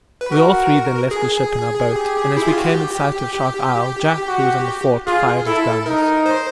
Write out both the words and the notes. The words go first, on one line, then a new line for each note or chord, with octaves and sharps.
We all three then left the ship in our boat, and as we came in sight of Shark Isle, Jack, who was on the fort, fired his guns.
B4
F#4 A#4
G#4
G4
E4
F4
F#4
G4
F#4
F4 G#4
E4 A4
D#4 A#4
C5